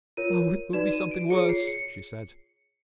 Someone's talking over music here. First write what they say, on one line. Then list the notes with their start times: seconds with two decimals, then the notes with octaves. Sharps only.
'Oh, it will be something worse,' she said.
0.17 F4 A#4 C#5 D#7
0.73 D#4 F#4 B4 D5 E7
0.92 D#7
1.11 D7
1.30 F4 G#4 C#5 C#7
1.49 C7
1.67 C#7